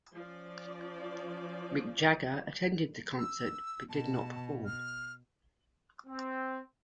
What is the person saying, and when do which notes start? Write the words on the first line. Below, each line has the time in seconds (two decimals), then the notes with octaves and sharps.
Mick Jagger attended the concert, but did not perform.
0.13 F3 C#4 D5
3.18 E6
3.89 B2 A5
4.66 F6
6.06 C4